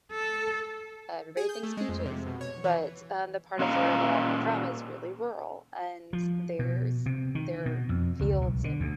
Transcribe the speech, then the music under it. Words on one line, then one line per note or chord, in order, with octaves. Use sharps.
everybody thinks "beaches," but, um, the part of Florida that I'm from is really rural, and there's there fields and
A4
G#4
G6
A3
G#3
F2
C3
B2
C#5
E3
A#2 C#4 D#5 F5 A#5
F3
B2
C3
D#3
B2
F2
C#2
B1
D3
D2